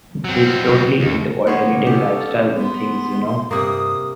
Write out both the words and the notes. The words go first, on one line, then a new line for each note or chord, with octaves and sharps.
She’s totally into alternative lifestyles and things, you know?
F#3 C4
D#2
A#3 B3 C5 C#5
C#4 G4 A4
B3 C6
G2 C3 A#3 D#6